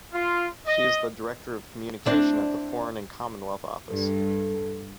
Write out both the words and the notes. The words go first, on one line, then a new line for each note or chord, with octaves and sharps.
She is Director of Communication at the Foreign and Commonwealth Office.
F4
D#5
C4 D4 E4
G2 A4